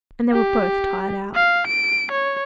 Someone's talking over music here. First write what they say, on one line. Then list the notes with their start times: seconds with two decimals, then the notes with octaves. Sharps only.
And they were both tired out.
0.33 G4
1.35 F5
1.67 D7
2.12 C#5